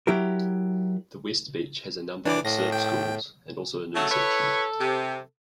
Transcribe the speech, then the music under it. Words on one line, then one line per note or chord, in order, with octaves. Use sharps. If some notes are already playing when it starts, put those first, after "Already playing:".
The west beach has a number of surf schools and also a nude section.
F#3 E4 G4 A#4
E3 D4 D6
A2 A#6
G5
C#3 F#3 A3 A4
E4 B4 C#5
C3